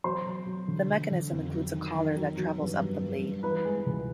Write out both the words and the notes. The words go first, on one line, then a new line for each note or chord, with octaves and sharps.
The mechanism includes a collar that travels up the blade.
F#3 C5 C6
F#3
F#3
D3
F#3
D3
F2
F#3
D#3
D#3
F#3
F#3
G2
G2
G2
G2
E3 B4 B5
G#3
C#2